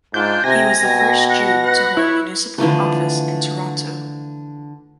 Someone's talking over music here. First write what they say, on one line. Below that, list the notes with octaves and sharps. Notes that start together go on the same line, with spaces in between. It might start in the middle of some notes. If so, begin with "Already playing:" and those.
He was the first Jew to hold municipal office in Toronto.
G#2 D4 F4 G6
C3 G5 G#5 A#6
B2 G5
F#5
B4 F#5
E4 C#5
D3 E3 F3 A3